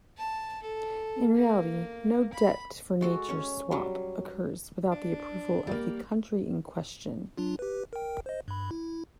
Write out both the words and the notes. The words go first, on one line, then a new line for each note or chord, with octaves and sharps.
In reality, no debt-for-nature swap occurs without the approval of the country in question.
A5
A4
A#3
B5
G#3 F#4 A4
C#4 C#5
F#3 G3
D4
G3 A#3
F#3 D4 F4
G4 B4
A#4 G5
C5 D#5
G2 B5
E4